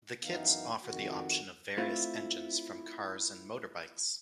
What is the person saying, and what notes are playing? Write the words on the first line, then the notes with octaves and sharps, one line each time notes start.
The kits offer the option of various engines from cars and motorbikes.
F#2 E3 B3 D#4 F5
F2 D#3 F#4
A3 C4 E4 F4